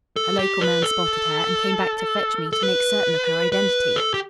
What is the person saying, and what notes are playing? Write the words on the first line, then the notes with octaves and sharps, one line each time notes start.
A local man spotted her and came back to fetch me to make certain of her identity.
A4
G4
B4
A4
A4
B4
B4
A4
G4